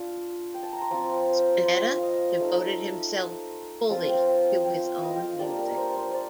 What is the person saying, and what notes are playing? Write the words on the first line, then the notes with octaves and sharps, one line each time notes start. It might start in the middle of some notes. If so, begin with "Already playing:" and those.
Spinetta devoted himself fully to his own music.
Already playing: D4 F4
G5
A5
A#5
C6
F3 C4 F4 D6
C6
F5
D#5
A3 D#4
F3 C4 F4 F5
G5
G5
G5
F5
D#5
F5 G5
G3 A#3 D4 D5
A#4
C5
C5
C5
D5